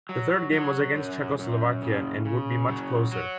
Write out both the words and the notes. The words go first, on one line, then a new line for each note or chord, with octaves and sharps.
The third game was against Czechoslovakia and would be much closer.
F#3
F#3
F#2
F#2
C#3
C#3
F#3
F#3